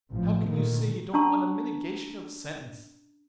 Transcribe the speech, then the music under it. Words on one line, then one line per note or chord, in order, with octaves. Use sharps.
How can you say you don't want a mitigation of sentence?
A1 F3
A#2 D3 D#3
C#4 D4 A5 A#5 C#6